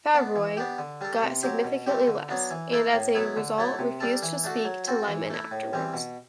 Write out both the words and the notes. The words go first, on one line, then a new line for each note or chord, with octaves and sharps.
Favreau got significantly less, and as a result refused to speak to Liman afterwards.
B3 D4
E3
B3 D4 G4
D3
G3 D4 A4
C3
F#3 C4 G4
B2
A3 C4 G4
D3
F#3 B3 D4
E3
A3 E4 A4
A2
F#3 B3 E4
D3
F#3 A3 E4 A4
C3
G3 D4 A4
E3
A3 D4 F#4 A4
F#3
C4 F#4 A4
E3
A3 E4
A2
E3 G3 C4
B2